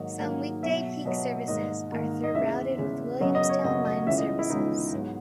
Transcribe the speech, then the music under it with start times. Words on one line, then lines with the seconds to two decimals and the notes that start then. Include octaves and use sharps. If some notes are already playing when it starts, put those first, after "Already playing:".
Some weekday peak services are through-routed with Williamstown line services.
Already playing: G#2 D#3 F#3 A#3 D#5
0.19 G#2 D#3 F#3 A#3
0.62 B2 F#3 B3 E5
1.05 B2 F#3 B3 D#5
1.48 G#2 D#3 A#3 D#5
1.92 G#2 D#3 A#3
2.24 D#5
2.34 E2 C#3 G#3 E5
2.77 E2 C#3 G#3
3.20 F#2 C#3 F#3 B3 D#5
3.35 D#5
3.49 C#5
3.64 F#2 C#3 F#3 B3 D#5
3.85 D#5
4.07 C#2 C#3 E3 B3 E5
4.18 D#5
4.39 E4
4.49 C#2 C#3 E3 B3 D#4
4.93 G#2 F#3 B3